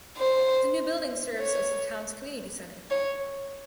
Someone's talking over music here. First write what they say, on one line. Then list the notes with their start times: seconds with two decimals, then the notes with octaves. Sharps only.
The new building serves as the town's community center.
0.18 C5
1.39 C#5
2.91 C#5